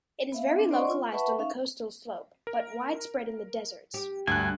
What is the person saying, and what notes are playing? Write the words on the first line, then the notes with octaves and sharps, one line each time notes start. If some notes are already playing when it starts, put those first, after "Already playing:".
It is very localized on the coastal slope, but widespread in the deserts.
B3 E5 F5
C4 D4
C5 D5 D#5 F#5 C6 C#6
F4
B4 E5 F#5 A5 B5 C#6
C#4 D#4 E5 F5 C#6
A#4
G4
D2 G2 G#5 F#6